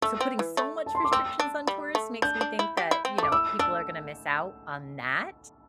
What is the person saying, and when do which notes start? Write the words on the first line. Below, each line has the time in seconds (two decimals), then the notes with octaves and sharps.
so putting so much restrictions on tourists makes me think that, you know, people are gonna miss out on that.
0.02 A3 E6
0.21 C4
0.39 E3
0.57 A3
0.86 A5
0.95 C6
1.04 D6
1.12 C4 E6
1.40 D4
1.67 G3
1.95 A3
2.22 D4 G6
2.41 D4
2.59 E4
2.77 G4
2.91 E4
3.05 C4
3.18 A3 D6
3.32 E4 E6
3.59 D4 E6